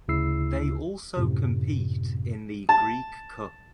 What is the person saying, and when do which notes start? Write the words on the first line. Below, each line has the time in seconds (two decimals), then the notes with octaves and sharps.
They also compete in the Greek Cup.
0.08 D2 C#3 E4 E6 C7
1.17 F#2 A2 C3
2.69 A5